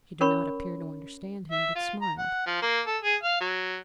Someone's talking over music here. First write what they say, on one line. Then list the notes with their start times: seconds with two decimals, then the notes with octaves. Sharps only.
She did not appear to understand him, but smiled.
0.21 C#4 A#4 C#5 B5 C#6
1.51 E5
1.76 F4
2.01 A#5
2.18 F#5
2.46 F3
2.62 A#3
2.87 A4
3.03 G#4
3.23 F5
3.41 F#3